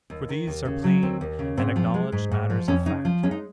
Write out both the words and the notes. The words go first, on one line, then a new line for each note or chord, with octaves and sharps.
For these are plain and acknowledged matters of fact.
D#2
D#3
D#2
C#3
F#3
D#2 C4
D#2
C#3
G#2 C4
F3
G#3
G#2
G#2
F3
F2 C#4
C#3 D#4
F3
G#3 C#4
D#4